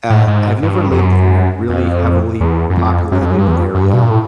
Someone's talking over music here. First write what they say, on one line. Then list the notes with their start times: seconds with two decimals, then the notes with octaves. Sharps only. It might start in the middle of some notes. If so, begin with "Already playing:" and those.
uh, have you ever lived in a really heavily populated area?
0.10 A2
0.27 G#2
0.63 G2
0.91 F2
0.99 F#2
1.69 F2
2.41 E2
2.70 F#2
2.76 F2
3.12 F#2
3.21 F2
3.30 F#2
3.38 G2
3.48 E2
3.56 F2
3.75 F#2
3.83 G2
3.93 B2
4.02 A#2
4.10 A2